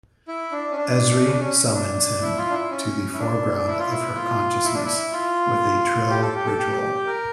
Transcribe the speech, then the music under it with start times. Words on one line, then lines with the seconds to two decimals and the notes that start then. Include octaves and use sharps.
Ezri summons him to the foreground of her consciousness with a Trill ritual.
0.28 E4
0.52 D4
0.71 C#4
0.76 D4
1.24 C#4
1.32 D4
1.39 C#4
1.67 C#4
1.73 D4
2.21 E4
2.37 F4
2.50 D4
2.53 E4
2.70 C#4
3.14 E4
3.19 D4
3.67 E4
3.79 F4
3.90 E4
4.15 F4
4.64 E4
4.74 D4
4.85 E4
5.12 F4
6.09 G4
6.22 A4
6.34 G4
6.45 A4
6.58 G4
7.06 A#4